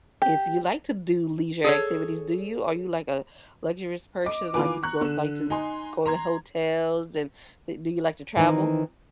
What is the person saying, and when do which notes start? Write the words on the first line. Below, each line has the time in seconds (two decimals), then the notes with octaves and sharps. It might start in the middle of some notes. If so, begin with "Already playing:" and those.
if you like to do leisure activities, do you? Are you, like, a luxurious person, like, you go like to go to hotels and, uh, do you like to travel?
0.22 G4
1.64 G#4 A4 C#5
4.25 D#5 D6
4.54 D#3 E3 F4 B4 G#5 D6
4.83 A#5 C#6 F#6
5.01 D3 E7
5.50 D#4 G#5 C6
6.06 A#5 C6 G#6
8.37 D#3 E3 C4 C#4 D#4